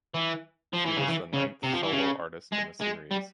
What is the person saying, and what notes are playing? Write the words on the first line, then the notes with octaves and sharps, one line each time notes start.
She was the ninth solo artist in the series.
E3
F3
E3
C#3
E3
C#3
C3
F3
E3
C#3
G#3
G#3
G3